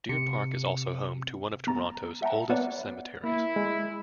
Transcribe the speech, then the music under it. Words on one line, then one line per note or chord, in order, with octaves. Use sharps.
Deer Park is also home to one of Toronto's oldest cemeteries.
C3 C#7
B3 A#5 A6
E5 F#5 G5 A5 A#5
B3 B4 C#5 D5 E5 F#5
A#3 E4
G#3